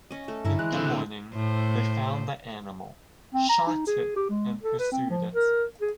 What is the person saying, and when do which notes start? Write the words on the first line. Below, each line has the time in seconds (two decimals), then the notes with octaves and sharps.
In the morning, they found the animal, shot it and pursued it.
0.11 C#4 D#5
0.28 A3 A4
0.45 G2 C#4 E4 A#4
0.59 G#3 F#6
0.72 D3 C4
1.34 A2 C5
3.35 C4
3.49 A#5
3.67 D#4
3.87 G#4
4.16 G4
4.30 G#3
4.63 A4
4.79 B4
4.92 C4
5.10 F3
5.34 A#4
5.82 G#4